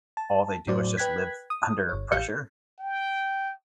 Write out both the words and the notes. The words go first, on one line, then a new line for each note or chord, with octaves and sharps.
all they do is just live under pressure?
A5
A2 F#3 C5 D5
B4 G5 F#6 G#6 B6
D#6
G1 C#5
A1 G4 F5 G6 C#7
G5